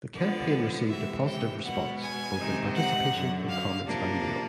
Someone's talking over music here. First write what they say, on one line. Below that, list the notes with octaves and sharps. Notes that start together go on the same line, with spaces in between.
The campaign received a positive response, both in participation and comments by mail.
D3 F3 G#3 B3 D5
C3 E3 G#3 E5
G5
B2 G#3 B3 F#5
G#5
C3 D#3 G#3 C4 D#4
F#5
F#2 D3 F#3
F5
C3 F3 A#3 D4